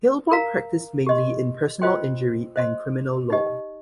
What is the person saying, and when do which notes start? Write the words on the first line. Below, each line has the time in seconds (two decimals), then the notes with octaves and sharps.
Heilbron practised mainly in personal injury and criminal law.
0.31 A#4 F5 A#5
1.06 G4 D#5 C6
1.82 F4 C5 D#5 G5 C6
2.56 C5 D#5 C6
3.30 D#4 G4 D#5